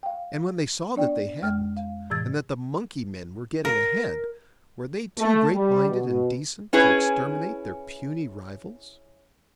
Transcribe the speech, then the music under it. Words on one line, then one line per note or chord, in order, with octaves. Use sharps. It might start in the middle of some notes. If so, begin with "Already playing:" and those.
And when they saw that they hadn't, and that the monkey-men were getting ahead, were they too great-minded and decent to exterminate their puny rivals?
F5 G5
B3 D4 D5 G5
F2 G#3 G5 F6
F5
A2 C3 E3 E6 G#6 A6
A#4
A3
G3
B2
C#4 E4 G#4 B4